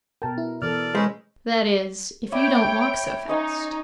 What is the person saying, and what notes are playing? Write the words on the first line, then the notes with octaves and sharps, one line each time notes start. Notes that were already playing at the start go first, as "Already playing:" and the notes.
That is, if you don't walk so fast.
B2 A#4 G5 A5
E4
B2 E3 A4 D5 F6
G#3 C#4 B4 C5
C#5 D5 E5 G5 B5 D7
C#4 D#4 D#5 A#5